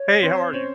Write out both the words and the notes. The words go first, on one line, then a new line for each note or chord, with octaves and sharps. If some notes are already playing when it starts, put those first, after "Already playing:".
Hey, how are you?
Already playing: C#5
C4 C5
C#4 C5 C#5